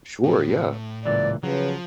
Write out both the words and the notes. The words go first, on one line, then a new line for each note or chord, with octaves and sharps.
Sure, yeah.
A2
C#2 A#2 E3 D5
C#3 F3 F#3 B4